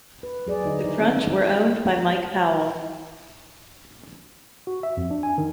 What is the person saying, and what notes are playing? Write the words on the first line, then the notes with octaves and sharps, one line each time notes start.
The Crunch were owned by Mike Powell.
B4
F#3 G#4 D5
D3 D#4 D#5
D#3 E4
C4 E4 E5
B3
F#4
E5
F2
D4
G#5
D#3